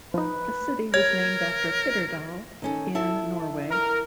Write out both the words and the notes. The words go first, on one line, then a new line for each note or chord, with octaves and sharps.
The city was named after Hitterdal, in Norway.
F3 D#4 B4
A#4 C#5 G#6
D#3 C#4 A4
E4 A4 A5
A#4